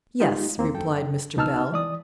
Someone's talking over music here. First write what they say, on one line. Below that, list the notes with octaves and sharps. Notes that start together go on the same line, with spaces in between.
'Yes,' replied Mr. Bell.
G#3 D#4 F4 G4
E2 A#3 C4
F#2 A4 G5
C#2 B2 D#4 A5 E6 F6
E3 D5 D#6